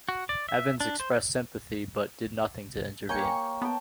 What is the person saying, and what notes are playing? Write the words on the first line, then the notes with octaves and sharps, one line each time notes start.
Evans expressed sympathy but did nothing to intervene.
F#4
D5
E5
D4
C5
A#3 G4 C#5 G5 G#5 C#7
B3 G5 A5